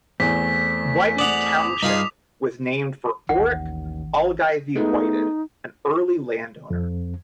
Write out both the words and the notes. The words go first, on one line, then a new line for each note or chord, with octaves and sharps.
Whited Township was named for Oric Ogilvie Whited, an early landowner.
E2 A3 C4 B6
D5 F#5 D6 D#6 F7
G2 D#4 F4 G#4
A1 D#2 F#5
G#3 A3 B3 D#4
F2